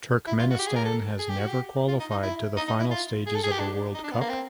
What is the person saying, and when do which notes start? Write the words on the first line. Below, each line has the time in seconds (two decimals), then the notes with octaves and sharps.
Turkmenistan have never qualified to the final stages of the World Cup.
0.27 E4
0.39 F4
0.51 F#4
0.59 G4
0.67 G#4
0.76 A#4
0.85 A4
1.19 G#4
1.29 G4
1.39 F#4
1.48 G4
1.88 F4
2.00 D#4
2.11 D#4
2.23 E4
2.57 D#4
2.68 D#4
2.79 E4
2.91 F4
3.27 G#4
3.35 A4
3.44 G#4
3.52 G4
3.60 D4
3.94 D#4
4.04 D4
4.12 B3
4.21 A#3
4.29 C4